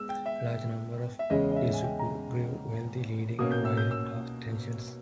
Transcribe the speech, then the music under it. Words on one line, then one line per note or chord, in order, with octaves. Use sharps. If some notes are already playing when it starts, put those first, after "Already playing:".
Large numbers of Isubu grew wealthy, leading to rising class tensions.
Already playing: G#3 B3 E6
G5
E5
E5
E2 C#3 G#3 C#4 D#5
D#5
E5
G#5
G5
A#5
B2 A#3 C#4 D#6
G6
E6
G6
E6